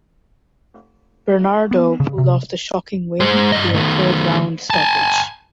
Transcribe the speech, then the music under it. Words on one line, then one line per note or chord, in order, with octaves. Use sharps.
Bernardo pulled off the shocking win via third round stoppage.
B3
C#3
C3
G#3 C5
G2 D#5
D#3 A3
G#5 A5